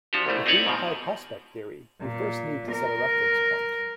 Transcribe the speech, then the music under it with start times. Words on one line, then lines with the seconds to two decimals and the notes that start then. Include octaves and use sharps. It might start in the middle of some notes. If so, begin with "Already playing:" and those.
If we apply prospect theory, we first need to set a reference point.
0.13 F3 D4 F#4 G4
0.26 C2 E3 G3 A3
0.46 C4 D#4 E4 C#5 D5
0.67 G#2 B2 F3
2.01 A#2
2.72 A#4